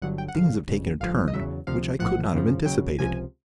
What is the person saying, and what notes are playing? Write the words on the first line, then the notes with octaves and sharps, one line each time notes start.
Things have taken a turn which I could not have anticipated.
G1 G2 D3 F#3 F#5
G5
F#5
G#1 G2 D3 F5
G1 F2 C#3
A1 G2 D3 F3 F5
D#5
E2 C#3 F#3 E5
D2 C3 F3 F5
A#1 A2 F3 F#5
F#2 C#3 F3
D#2 C#3 F#3 G5
C#2 C3 F3 G#5